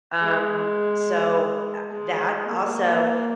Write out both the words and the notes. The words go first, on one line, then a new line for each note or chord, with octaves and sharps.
Um, so, eh, that also
G#3
G#3
A#3